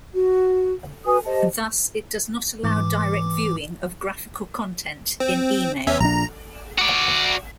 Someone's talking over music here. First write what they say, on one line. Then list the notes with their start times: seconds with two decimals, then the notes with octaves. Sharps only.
Thus it does not allow direct viewing of graphical content in email.
0.15 F#4
1.05 F#4 B4 G#5 D#6
1.25 G4 C5 D#5 A5
2.64 G#2 E3 D6
5.20 C4
5.87 E2 C#4 E5
6.00 A#1 D4 A#5
6.78 F#4 D5